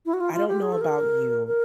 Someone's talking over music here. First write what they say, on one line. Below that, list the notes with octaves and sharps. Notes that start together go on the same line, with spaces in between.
I don't know about you,
E4
F#4
F4
F4
G4
G#4
A4
A#4
A#4